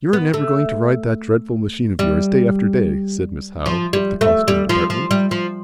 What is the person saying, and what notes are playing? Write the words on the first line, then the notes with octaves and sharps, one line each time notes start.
"You're never going to ride that dreadful machine of yours, day after day?" said Miss Howe of the Costume Department.
B3
A3
G3
F3
G3
A3
G3
F3
F3
G3
F3